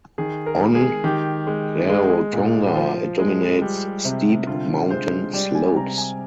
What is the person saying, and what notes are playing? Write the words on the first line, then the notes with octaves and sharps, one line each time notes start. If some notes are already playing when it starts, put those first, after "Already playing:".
On Rarotonga it dominates steep mountain slopes.
D#3 G#4
A#4
G#3
G#4
D#3 G4
G#3
G#3
A#2
F3
G#3
G3
C3
D3 F4
G#3 C5
G3 D5
G#5
C3 A#5
G#5